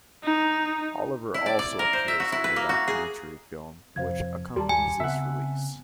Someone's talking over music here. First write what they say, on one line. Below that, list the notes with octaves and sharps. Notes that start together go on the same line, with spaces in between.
Oliver also appears in the documentary film which accompanies this release.
D#4
E4
D5
D5
A#4
C5
E5
F#4
E4
B4
A#3
F#4
G#4
F2 C3 F3 C5 F5 G#6
D#2 G3 A5 A#5 C6
G#5
C#3 B3 C4 E5 F#5